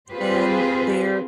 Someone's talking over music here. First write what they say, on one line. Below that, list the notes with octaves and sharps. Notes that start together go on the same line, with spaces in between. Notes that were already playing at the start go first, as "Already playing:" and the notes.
and they're
C4 F4 G4 G#4 B4 C5